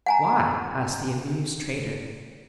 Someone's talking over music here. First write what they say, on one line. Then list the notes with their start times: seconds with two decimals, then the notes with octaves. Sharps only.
'Why?' asked the amused trader.
0.06 F#5 G#5 A#5